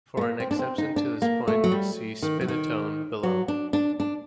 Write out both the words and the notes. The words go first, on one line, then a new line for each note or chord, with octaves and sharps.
For an exception to this point, see "spinettone", below.
A3
A#3
C4
D4
C4
D#4
D4
A#3
A3
F#3
G3
D#3
F#3
D#3
F#3
D4
D4
D4